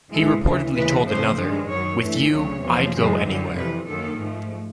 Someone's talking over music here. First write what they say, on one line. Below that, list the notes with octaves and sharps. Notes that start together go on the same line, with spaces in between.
He reportedly told another, "With you, I'd go anywhere".
G#2 E3 G#3 A4
D2 C#3 E3
D#2 C#3 E3 G#3 B4
F2 C#3 F3 A3 C5
G2 D#3 G#3
F#2 D#3 F#3 C#5
G2 E3 A3
D2 C#3 F#3 C#5
E2 C3 F3 A#3
F#2 C#3 E3 G#3
F#2 D3 G3
F2 C3 E3 B4
F#2 D#3 F#3 A#3 A4
G#2 F3 A3